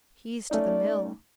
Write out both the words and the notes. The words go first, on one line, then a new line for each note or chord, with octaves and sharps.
"He's to the mill."
A3 C#4 D#4 D5